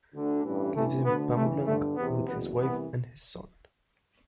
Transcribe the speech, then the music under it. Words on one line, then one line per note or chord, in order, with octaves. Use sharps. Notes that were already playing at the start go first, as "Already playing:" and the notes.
He lives in Pamulang with his wife and his son.
D2 D3
A1 G2 E3
A1 G2 E3 A3
D2 D3 B3
G1 G2 E3 A3
G1 G2 D3 A3
E2 C3 E3 B3
F#1 E2 B2 B3
C2 C3 E3 B3